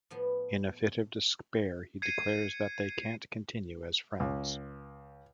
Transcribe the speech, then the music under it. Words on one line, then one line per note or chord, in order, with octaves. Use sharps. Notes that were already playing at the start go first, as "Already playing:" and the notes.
In a fit of despair he declares that they can't continue as friends.
A2 F3 B3
G#6 C7 C#7 D#7
C#2